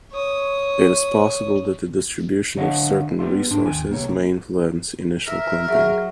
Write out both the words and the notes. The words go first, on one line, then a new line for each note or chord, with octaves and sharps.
It is possible that the distribution of certain resources may influence initial clumping.
C#5 D#6
D3 C#5 D#5 F5 F#5
B3 G4 D5 E5 C6
G#2 D4 G5 C6
D#2 G5 G#5
C2 A#3 G4 C#5
A#4 E5
F#3 G#4 E5